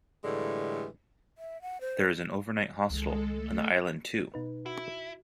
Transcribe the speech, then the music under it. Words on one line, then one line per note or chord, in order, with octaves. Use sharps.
There is an overnight hostel on the island too.
A2 D3 E3 G3 G#3
E5
F#5
C5
C#2 D#3 G#3 A4
A3 A4
B2 D#4 B4
E4 F#4